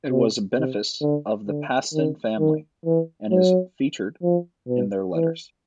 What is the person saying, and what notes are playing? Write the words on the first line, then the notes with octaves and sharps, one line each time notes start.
It was a benefice of the Paston family and is featured in their letters.
C3
C3
D3
D3
D#3
D#3
E3
F#3
F3
B2
E3